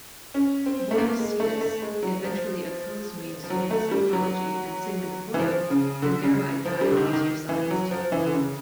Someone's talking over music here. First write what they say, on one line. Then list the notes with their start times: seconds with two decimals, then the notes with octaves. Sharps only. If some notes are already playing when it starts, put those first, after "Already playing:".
Boris Sidis eventually opposed mainstream psychology and Sigmund Freud, and thereby died ostracized.
0.34 C#4
0.66 C4
0.91 A3
0.98 A#3
1.19 G#3
1.40 A3
1.61 A3
1.82 G#3
2.03 F#3
2.24 F3
3.44 F3
3.50 F#3
3.71 A3
3.91 G3
4.13 F#3
5.34 E3
5.39 F3
5.70 C#3
6.02 D3
6.23 C#3
6.65 F3
6.81 G3
6.90 D3
6.97 D#3
7.13 D#3
7.49 E3
7.71 F#3
7.91 F3
8.12 E3
8.26 D3
8.33 C#3